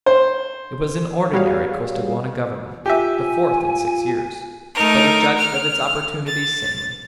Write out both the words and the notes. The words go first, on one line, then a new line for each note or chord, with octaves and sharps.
It was an ordinary Costaguana Government--the fourth in six years--but it judged of its opportunities sanely.
C5
G3 F#4 G#4 C#5 F5
F4 G4 E5 G#5
A3 D#4 A#4
F6
A6